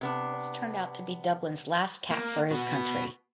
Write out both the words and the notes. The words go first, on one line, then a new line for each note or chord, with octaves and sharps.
This turned out to be Dublin's last cap for his country.
C3 B3 D4
A#3
B3 F#4